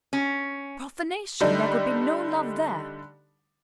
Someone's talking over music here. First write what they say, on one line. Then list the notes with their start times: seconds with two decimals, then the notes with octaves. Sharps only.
Profanation! There could be no love there.
0.13 C#4
1.41 D3 G3 A3 D#4